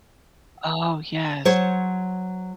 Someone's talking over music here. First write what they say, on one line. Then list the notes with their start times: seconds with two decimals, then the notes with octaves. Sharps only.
Oh, yes.
1.45 F#3 C5 C#5